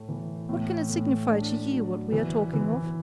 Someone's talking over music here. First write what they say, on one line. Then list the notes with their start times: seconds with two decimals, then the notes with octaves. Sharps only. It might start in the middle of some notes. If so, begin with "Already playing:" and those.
What can it signify to you, what we are talking of.
Already playing: A2 A3
0.09 E3
0.49 A2
0.90 A2
1.31 D4
1.72 F#3
2.12 E3
2.53 E3